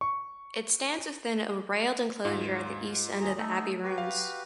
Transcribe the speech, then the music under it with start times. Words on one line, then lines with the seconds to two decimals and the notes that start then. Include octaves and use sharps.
It stands within a railed enclosure at the east end of the abbey ruins.
0.01 C#6
2.25 D#2 G#2 F4
3.21 D#2 G#4 A#5
3.39 A3 D#4 A4
3.84 F#4 G4 B4
3.98 F5